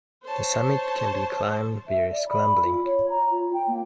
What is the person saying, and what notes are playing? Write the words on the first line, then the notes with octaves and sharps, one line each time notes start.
The summit can be climbed via scrambling.
C5 C#5 A5
E5
D5
B5
F4
C#5
A#5
F4
G5
A#3